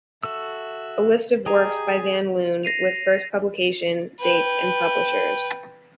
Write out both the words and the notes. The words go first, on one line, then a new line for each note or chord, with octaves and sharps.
A list of works by van Loon, with first publication dates and publishers.
F#4 A4 E5 E6
G4 G#4 D#5 A#5
A#6 C7 D#7 F7
B4 G5